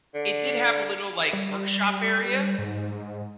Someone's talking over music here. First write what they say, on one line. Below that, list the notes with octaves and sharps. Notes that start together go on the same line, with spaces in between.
It did have a little, like, workshop area
D3
G3
G#2